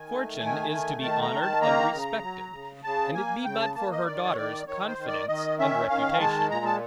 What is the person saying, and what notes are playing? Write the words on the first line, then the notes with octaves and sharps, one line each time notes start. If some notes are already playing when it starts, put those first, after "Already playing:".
Fortune is to be honored and respected, and it be but for her daughters, Confidence and Reputation.
Already playing: D#3 G#5
A3
D#3 G#5
A3 G#5
D#3 A5
A#5
D#3
A5
A#3 A#5
C#3
F#3
C#3
C#3 A5
A#3 G#5
C#3 G5
A5
A#3 A5
D#5
D#3 D5
C#5
D#3 D5
D#3 C#5
C5
D#3
D5
D#3 D#5
C#4 E5
D#3 F5
G#3 A5
A#2 A#5
A5